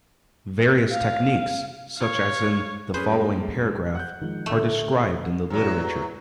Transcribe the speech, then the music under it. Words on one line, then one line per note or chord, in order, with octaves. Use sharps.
Various techniques, such as in the following paragraph, are described in the literature.
F5
C#5 F5
F#2 C#4 G#4 B4 C5
G3 G#3 A#3
F#5 F#6 G6
D#3 F3 G#3
A2 D3 A3
E2 F#3